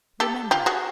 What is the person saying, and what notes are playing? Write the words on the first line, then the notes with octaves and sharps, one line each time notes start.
Remember it.
G4 A4
F4 G4
F#4 G#4